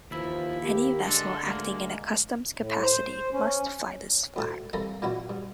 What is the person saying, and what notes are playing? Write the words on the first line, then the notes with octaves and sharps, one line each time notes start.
Any vessel acting in a customs capacity must fly this flag.
D#2 E3 F3 E4
A#3 G4
D3 G#3 D4 A4
D2 G#3 A#3
A2
C5
C#4
D2 A2 A5
C2 E3 A4 A#4 F5 A#5
A#2 E3 F#3 D4 E4 F#4
G2